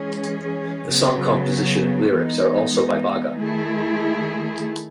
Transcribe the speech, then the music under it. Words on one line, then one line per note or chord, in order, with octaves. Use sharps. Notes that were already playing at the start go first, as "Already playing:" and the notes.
The song composition and lyrics are also by Bagga.
Already playing: E3 G#3 C#4 G#4
C#3 F#3 B3
E3 G#3 B3 D#4
D#3 A3 E4 G#4